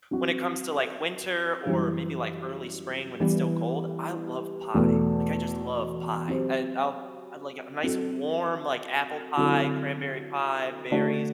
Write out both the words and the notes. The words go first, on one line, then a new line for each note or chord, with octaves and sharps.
when it comes to, like, winter or maybe, like, early spring when it's still cold, I love pie. Like, I just love pie. I I'll I'd like a nice warm, like, apple pie, cranberry pie, berries.
F#3 C4 F#4
F#2 E3 G3
E3 G3 B3 E4
E2 B2 A3
F#3 C4 G4 C5
F#3 C4 F#4 A4
D3 F#3 C4 E4 A4
D3 A3 D4 F#4